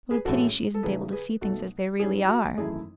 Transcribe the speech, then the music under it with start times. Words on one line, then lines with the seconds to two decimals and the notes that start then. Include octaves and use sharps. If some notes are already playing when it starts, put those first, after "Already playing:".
What a pity she isn't able to see things as they really are!
0.11 G#4 B4
0.25 A1 A2 E3 G#3 C#4 F#4 A4
0.74 A4
0.83 E2 C#3 F#3 A3 D#4 G#4 B4
1.12 G#4 B4
1.41 B1 B2 F#3 A3 F#4 A4
1.99 G#2 F#3 C#4 E4 G#4
2.28 F#4
2.57 G#1 F#2 E3 A3 E4 G#4